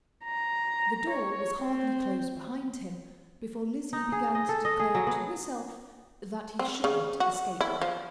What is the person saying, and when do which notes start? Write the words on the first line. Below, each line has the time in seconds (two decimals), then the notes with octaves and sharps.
The door was hardly closed behind him before Lizzie began to declare to herself that he shouldn't escape her.
0.24 A#5
1.10 C#5
1.60 C4
3.93 D#4
4.12 G#4
4.35 D#5
4.49 A4
4.65 D#5
4.79 G#4
4.95 F#3
5.07 B3
6.59 C4
6.84 C#3
7.20 F#4
7.61 E4
7.82 F3